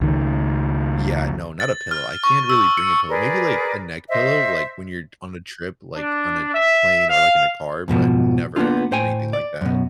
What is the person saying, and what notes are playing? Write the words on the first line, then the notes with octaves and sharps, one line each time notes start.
yeah, no, not a pillow, I can't really bring a pillow, maybe, like, a neck pillow, like, when you're on a trip, like, on a plane or, like, in a car, but never anything like that.
C#2 D#3
A6
F6
C#6
E6
C#7
G#4 A#4 B4 D5
C5 D#5 E5
D4
E5
F5
F2 G#2 B2 F3
A#3 B3 C#4 D4 F4
A2 C5 G5 G#5
D5
F#2 B2